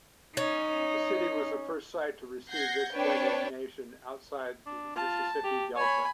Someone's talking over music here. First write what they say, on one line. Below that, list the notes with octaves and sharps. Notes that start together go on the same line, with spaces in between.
The city was the first site to receive this designation outside the Mississippi Delta.
C#4 D#4
F#5 G6 G#6 A#6 C7
C4 D4 B4 C#5 G5
D4
F4 A5
G4
C#5 G#5 B5